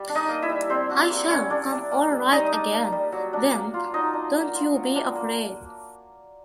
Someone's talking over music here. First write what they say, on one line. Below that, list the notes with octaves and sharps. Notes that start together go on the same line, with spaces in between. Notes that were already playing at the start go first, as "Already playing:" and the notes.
I shall come all right again, then, don't you be afraid.
Already playing: G3
D4
D#4 D#5
A#3
E4 E5
G3
G3 C4 C5
D4 F#4
A#3
G3 C#4 C#5
G3 D4 D5
D4
A#3
G3
G3 D#4 D#5
D4
A#3
G3
F#3
D4
A#3
F4
F#3 D#4 D#5
D4
A#3
F4
F#3
D4
A#3